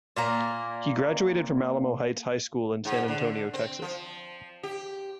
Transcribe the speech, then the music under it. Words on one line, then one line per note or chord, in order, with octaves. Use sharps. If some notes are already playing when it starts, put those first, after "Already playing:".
He graduated from Alamo Heights High School in San Antonio, Texas.
A#2 A#3 A#5
G#2
D3
C4
F3
G4